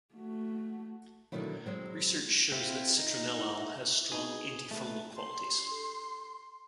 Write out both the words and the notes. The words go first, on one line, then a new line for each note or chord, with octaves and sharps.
Research shows that citronellal has strong antifungal qualities.
A3 F#4
B2 D3 D#3 F#3 E4
F#3 G#3 C4
C4 E4 F4
D#4
E4
C4 D#4 G#4
A3 B4
C6